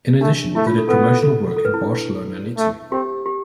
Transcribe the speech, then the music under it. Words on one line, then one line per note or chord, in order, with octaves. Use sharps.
In addition, they did promotional work in Barcelona and Italy.
A3 D4
A3 E4
F4
A4
B3 A4
A4
A4
B4
E4
D4
A3
C4 G4
G4